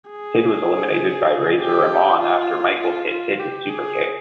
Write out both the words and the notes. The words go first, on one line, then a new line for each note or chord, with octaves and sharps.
Sid was eliminated by Razor Ramon after Michaels hit Sid with superkick.
G#4
G4
F4
F4
F4
G4
G#4